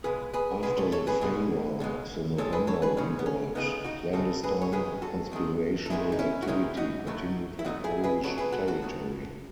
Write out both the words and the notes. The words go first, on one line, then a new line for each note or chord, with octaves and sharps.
After the failure of the November Revolt, clandestine conspiratorial activity continued on Polish territory.
C#2 B2 G#3 G#4 B4
G#4 B4
C#2 B2 G#3 G#4 B4
A4 C#5
A4 C#5
G#4 B4
C#2 B2 G#3
C#2 B2 G#3
D#2 C#3 G#3 A4 C#5
G#4 B4
A4 C#5
G#4 B4
D#2 C#3 G#3 C#4
B3
C#4
D#2 C#3 G#3 B3 D#4
D#4 F#4
D#2 C#3 G#3 F#4 A4
G#4 B4
C#5
E2 D#3 G#3 G#4 B4
F#4 A4
E2 D#3 G#3
A4
E2 D#3 G#3 E4 G#4
D#4
C#4 E4
F#4
E2 D#3 G#3 C#4 E4
D#4 F#4
A2 F#3 A3
E4
A2 F#3 A3 D#4 F#4
E4 G#4
G#4 B4
A2 F#3 A3 A4 C#5
G#4 B4
F#4 A4
F#4 A4
A2 F#3 A3